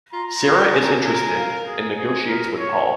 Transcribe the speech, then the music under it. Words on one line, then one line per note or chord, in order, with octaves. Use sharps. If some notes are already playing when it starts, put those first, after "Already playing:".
Sarah is interested and negotiates with Paul.
F4 A#5
F4
G#4
A#4
G#4
A#4 G#5
F5
G#4
G#4
A#4
C#5